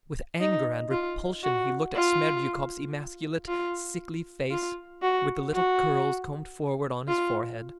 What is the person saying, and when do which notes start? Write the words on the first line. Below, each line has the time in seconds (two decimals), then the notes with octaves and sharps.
With anger and repulsion he looked at Smerdyakov's emasculate, sickly face, with the little curls combed forward on his forehead.
0.41 D#4
0.91 F4
1.43 F#4
1.94 F4
3.48 F4
4.51 F4
5.02 F#4
5.54 F#4
7.08 F4